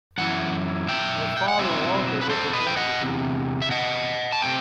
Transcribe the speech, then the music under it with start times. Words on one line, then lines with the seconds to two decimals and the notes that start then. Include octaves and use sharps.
Her father, Walter was a dentist.
0.18 F#2 E3 E4 F#5
0.88 E5 G5
1.37 G5
1.48 F#5
1.59 B2 F#3 C4 E4 C5 E5
2.21 B4
2.29 A4 C5
2.53 B4 D#5
2.67 G5
2.77 D#5 F#5
3.01 E2 C3
3.62 E5
3.71 D#5 F#5
4.32 A5
4.42 C3 D#3 A3 C4 G5